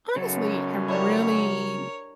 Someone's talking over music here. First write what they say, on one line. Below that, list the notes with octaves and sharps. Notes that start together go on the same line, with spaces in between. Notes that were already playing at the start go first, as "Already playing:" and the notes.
honestly, I really
B1 F#2 C#3 F#3 C#4 A4
G3 D4 E4 A#4 C#5